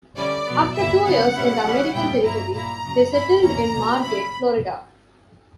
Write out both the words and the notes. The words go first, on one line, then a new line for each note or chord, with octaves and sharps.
After two years in the American territory, they settled in Margate, Florida.
D3 G3 C#4 E4 D5
B2 F#3 B3
G2 D3 A#3 E4 E5
C#3 F#3 B3 E4 F#5
A#2 G3 C#4 E4
C#3 G3 C#4 E4
A#2 G3 B3 E4 G5
G2 F#3 A#3 E4 A#5
A#2 A#3 E4 A#5
F#2 C#3 F#3
G2 F#3 C#4 E4 B5
E2 D3 A#3 C#4 E4 A#5
B2 G3 A#3
C#3 F#3 C#4 E4 B5